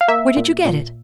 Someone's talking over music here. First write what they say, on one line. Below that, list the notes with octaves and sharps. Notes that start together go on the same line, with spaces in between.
Where did you get it?
F5
A#3 E5
A#2
A#2